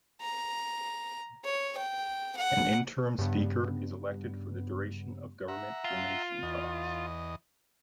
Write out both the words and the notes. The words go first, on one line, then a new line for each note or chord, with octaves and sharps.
An interim speaker is elected for the duration of government formation talks.
A#5
C#5
G5
F#5
G2 C#3 B3
E5 F#5 A#5
F4
E2 D#5